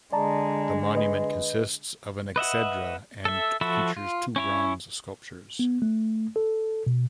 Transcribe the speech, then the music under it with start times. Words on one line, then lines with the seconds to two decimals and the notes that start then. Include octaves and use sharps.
The monument consists of an exedra and features two bronze sculptures.
0.13 D3 G#3 D5 A5 A#5
0.95 B4 D#5
2.36 B4 D#5 E5 F#5
3.25 A4 E5
3.61 F3 F#4 A4 E5 B5
3.97 F4
4.36 C#4 E4 C#5
5.59 B3
5.82 A3
6.36 A4
6.87 B2